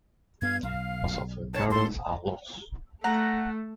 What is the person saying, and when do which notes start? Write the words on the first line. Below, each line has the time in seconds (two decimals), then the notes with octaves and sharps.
Most of her gardens are lost.
0.42 G2 B3 F5 G#6
0.63 B1 F5
1.54 C#5 A5
1.70 G#2 A4 C6
3.04 A3 F#5 A#5